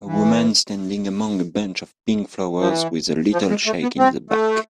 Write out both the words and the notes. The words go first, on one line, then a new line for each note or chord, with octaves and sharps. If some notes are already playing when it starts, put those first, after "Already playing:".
A woman standing among a bunch of pink flowers, with a little shack in the back.
E3
F3
E3
F3
G#3
A3
B3
C4
A3